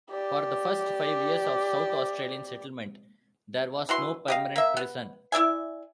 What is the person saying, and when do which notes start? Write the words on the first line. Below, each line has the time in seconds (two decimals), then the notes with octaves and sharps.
For the first five years of South Australian settlement there was no permanent prison.
0.10 G4 D5
3.89 E3 F#4 C6
4.28 G4 D#5 F5
4.56 A#3 E5
4.77 B3
5.32 E4 D5 E5 G#5